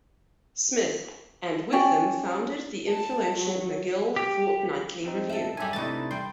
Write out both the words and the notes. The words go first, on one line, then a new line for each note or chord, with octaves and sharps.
Smith, and with them founded the influential "McGill Fortnightly Review".
C#4 D5 G5
A5
F#3
G4
F3 C4 D#4
A4 E5
F#2 G3 G4 E5 G#5
C3 E3 A3 D4 D#4 A6
G3 G5 C6